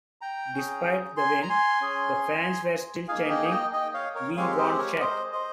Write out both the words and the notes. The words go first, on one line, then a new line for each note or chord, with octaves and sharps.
Despite the win, the fans were still chanting We want Shack!
G5 A#5
C#4 G#4
G#5 C6
A#5
G#5 C6
C#4 G#4
A#3 D#4 G#4 F5 G#5
D#5 G5
D#5 G5
D#5 G5
C#5 F5
A#4 C#5
G#3 C4 G4 C#5 F5
C5 D#5
A#4 C#5
C5 D#5
C5 D#5